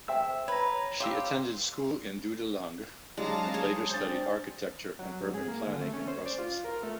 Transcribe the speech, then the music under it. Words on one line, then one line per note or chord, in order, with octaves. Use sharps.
She attended school in Dudelange and later studied architecture and urban planning in Brussels.
C5 E5 G5 E6
B4 C#5 A#5
G4 C#5 F5 C6 E6
F#3 G#3 D4 F5 A5 A#5
G#4 C#5
C4 D4 C5 G#5 A6
F#3
G#2
G#4
A#3
D3
A3
C#4
C5
D5
F4
A#4
A3